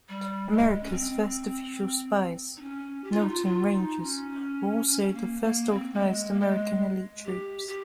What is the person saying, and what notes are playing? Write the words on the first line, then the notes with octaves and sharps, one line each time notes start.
America's first official spies, "Knowlton's Rangers" were also the first organized American elite troops.
G3
G#3
C#4
C4
D#4
C#4
G4
F4
D#4
F4
F4
D#4
C#4
A#3
A#3
C4
A#3
G#3
A#3
G#3
G4
G4